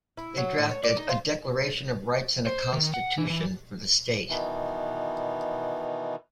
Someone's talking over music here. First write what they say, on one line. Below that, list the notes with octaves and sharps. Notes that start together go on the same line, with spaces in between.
They drafted a declaration of rights and a constitution for the state.
E4
F#3
A2
C#5
D5
D#4
F4
C5
D#3
F#5
E3
E3
B2 D#3 E3